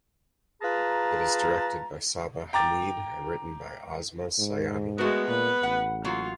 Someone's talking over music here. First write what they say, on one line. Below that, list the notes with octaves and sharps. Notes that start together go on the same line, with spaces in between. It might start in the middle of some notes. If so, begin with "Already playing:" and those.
It is directed by Saba Hameed and written by Asma Sayani.
F4 G#4 B4 A5 A#5
G5 A#5 D6 A6
G#2
G#3 A3 B3 F#4 A#4
A#2 B4
A1 F#5
F#3 A#3 F4 F#4